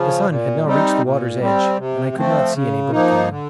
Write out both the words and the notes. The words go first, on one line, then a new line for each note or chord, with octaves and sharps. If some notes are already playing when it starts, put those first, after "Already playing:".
The sun had now reached the water's edge, and I could not see any boat coming.
Already playing: C#3 F3
A#2
G3 C4 D#4
A#2
G3 C4
C3
F3 A3 C4
C#3
F3 A#3 D#4
D3